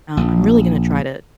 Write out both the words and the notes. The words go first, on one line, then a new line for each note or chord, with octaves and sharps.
Um, I'm really gonna try to
A#1